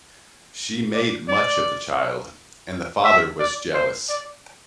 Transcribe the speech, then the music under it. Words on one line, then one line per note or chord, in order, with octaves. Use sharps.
She made much of the child, and the father was jealous.
D5
D5
E5
D5
C5
D5